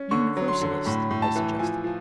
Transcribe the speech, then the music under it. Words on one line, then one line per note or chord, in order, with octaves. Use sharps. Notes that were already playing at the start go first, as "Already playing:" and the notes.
"Universalist?" I suggested.
Already playing: C#4
D3 C#6
F#3
C6
D3
A2 B5
A2
A5
E3
F3 G#5
F3